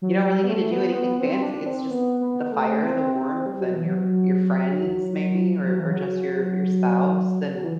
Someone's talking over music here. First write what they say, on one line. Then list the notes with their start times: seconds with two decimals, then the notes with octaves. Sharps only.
You don't really need to do anything fancy, it's just the fire, the warmth, and your your friends maybe, or or just your your spouse, and
0.02 F#3
0.25 G3
0.44 B3
0.49 A3
0.71 B3
0.92 C4
0.95 B3
1.19 C4
1.42 D4
1.66 C4
1.90 B3
2.21 B3
2.52 A3
2.83 C4
3.15 C4
3.46 G3
3.60 F#3
3.74 E3
3.88 F#3
5.66 F#3
5.79 E3
5.92 F#3
7.55 F#3
7.64 E3